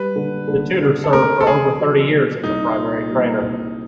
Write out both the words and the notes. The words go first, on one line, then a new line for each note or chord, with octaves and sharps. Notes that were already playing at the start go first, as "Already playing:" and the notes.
The Tutor served for over thirty years as a primary trainer.
Already playing: G3 B4
D3
D3
D3
A4
A3 A#4
A4
A3 G#4
F#3
A#2
C2 D#4
A#2
G3
C2